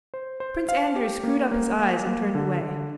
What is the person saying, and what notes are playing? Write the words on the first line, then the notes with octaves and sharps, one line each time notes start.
Prince Andrew screwed up his eyes and turned away.
C5
C5
F5
G4
A#3
A#3
A#3
A#3
D3
D3